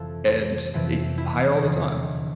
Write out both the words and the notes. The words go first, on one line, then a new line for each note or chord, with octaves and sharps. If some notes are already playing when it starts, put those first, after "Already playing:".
and it higher all the time.
Already playing: F2 C3 E3 A4
F2 C3 E3
E4
E2 D3 F3 G#3